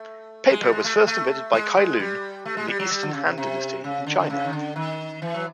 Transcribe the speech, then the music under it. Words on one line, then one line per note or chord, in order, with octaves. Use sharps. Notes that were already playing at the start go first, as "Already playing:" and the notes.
Paper was first invented by Cai Lun in the Eastern Han Dynasty in China.
Already playing: A3
G#3
G3
G#3
A3
G#3
A3
G#3
G#3
G3
A3
G#3
G3
F#3
G3
D3
C#3
C3
C3
C#3
D3
D3
C#3
D#3
D3
D#3
E3
F#3